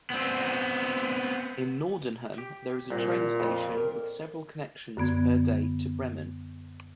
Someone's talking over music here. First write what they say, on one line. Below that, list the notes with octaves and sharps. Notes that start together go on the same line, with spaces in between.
In Nordenham there is a train station with several connections per day to Bremen.
B3 C4
G4
C2 A#2
F2
A#4
F#2 D3 B3 G#6